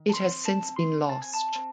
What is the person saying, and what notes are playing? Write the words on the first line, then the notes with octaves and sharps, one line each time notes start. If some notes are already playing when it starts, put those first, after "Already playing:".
It has since been lost.
Already playing: D#3
A5
C4 C6
A5
C4
C6
C4 A5
G#5
A5
C4